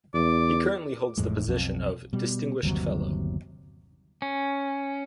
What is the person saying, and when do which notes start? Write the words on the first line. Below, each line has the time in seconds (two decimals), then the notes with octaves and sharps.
He currently holds the position of distinguished fellow.
0.14 E2 D5
1.18 A1 F2 A2 G#3
1.46 B1 F2
2.13 B2 G3
2.63 G1 D#2 C3 F#3
4.22 C#4